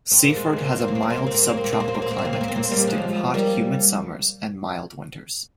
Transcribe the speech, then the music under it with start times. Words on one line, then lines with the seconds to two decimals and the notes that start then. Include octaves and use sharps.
Seaford has a mild subtropical climate consisting of hot, humid summers and mild winters.
0.11 C4
0.24 A#3
0.36 G#3 C4
0.57 A#3
0.65 C4
0.72 A#3
0.80 C4
0.88 A#3
0.95 C4
1.03 A#3
1.10 C4
1.18 A#3
1.27 C4
1.34 A#3
1.42 C4
1.49 A#3
1.57 C4
1.64 A#3
1.73 C4
1.80 A#3
1.88 C4
1.94 A#3
2.02 C4
2.11 A#3
2.18 C4
2.25 A#3
2.33 C4
2.41 A#3
2.48 C4
2.56 A#3
2.63 C4
2.71 G3 A#3
2.87 F3 G#3
3.34 G3 A#3